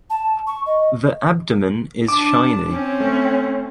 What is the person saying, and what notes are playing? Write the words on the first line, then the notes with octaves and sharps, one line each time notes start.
The abdomen is shiny.
A5
C#6
D#5
D4 A5 D6
C4 C#4
A3